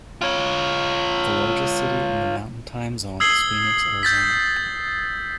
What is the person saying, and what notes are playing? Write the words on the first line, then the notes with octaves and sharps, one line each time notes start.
The largest city in the Mountain Time Zone is Phoenix, Arizona.
F4 C#5
D#6 E6 G#6 C7 F#7 G7
G6 A6 B6